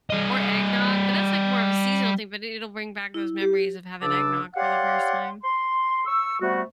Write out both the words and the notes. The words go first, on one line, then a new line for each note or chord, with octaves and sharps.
or eggnog, but that's, like, more of a seasonal thing, but it'll bring back those memories of having eggnog for the first time.
G3 D#5
E4
G4
C#2 C#3 D4 A5 D6 E6
G4 C#5 D5 F5 F#5 C6
C6
C#6 E6
C3 G3 A3 B3 F#4